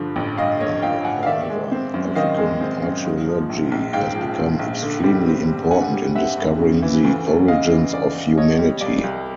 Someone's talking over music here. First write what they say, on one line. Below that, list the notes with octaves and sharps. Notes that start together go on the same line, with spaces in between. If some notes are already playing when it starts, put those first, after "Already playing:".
Now, however, African archaeology has become extremely important in discovering the origins of humanity.
Already playing: G2 D3 F3
A1
G2 D#5 F5
D3 C#5 D#5
F3 F5 G5
A1 F#5 G#5
F5
D#3 D5 E5
G#3
C4
F#2
D#3 D#5 F5
G#3
C4
F#2
G#2
F3
A#1
A#1
G#2 F5 G5
F3
A#1
A#1
D3
G3
C4
G2
D3 F#5 G#5
G3
C4 E5 F#5
G2
C#3
E3
D2
D2
C#3 D#5 F5
E3
D2 D5
D2
B2 C#5 D#5
G3
C2 D5
C2